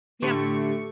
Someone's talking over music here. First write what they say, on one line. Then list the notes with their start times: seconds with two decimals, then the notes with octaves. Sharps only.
Yeah, m
0.22 A2 D3 A3 G4 C#6